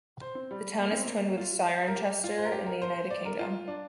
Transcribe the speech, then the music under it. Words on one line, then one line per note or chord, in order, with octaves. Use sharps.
The town is twinned with Cirencester in the United Kingdom.
C5
C4
G3
A#3
C4
A#3
F4
A#4
G4
F4
C5
A#4
G4
A#4
C5
D5
A#4
F4
D4